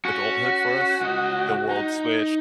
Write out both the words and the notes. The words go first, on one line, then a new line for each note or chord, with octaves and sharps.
adulthood for us, eh, the world switched.
C#4 F#4
C#2 D#5
D#4